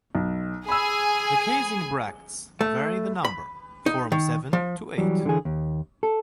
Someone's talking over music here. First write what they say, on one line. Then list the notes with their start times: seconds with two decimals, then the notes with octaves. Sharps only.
The casing bracts vary the number, form seven to eight.
0.15 B1
0.68 G#4 G#5 B5 E6
2.61 A3
3.25 B5
3.86 D#4
4.12 D#3
4.53 F3
4.98 E3 F#3 G3
5.25 D3 E3 G#4
5.45 D#2
6.03 A4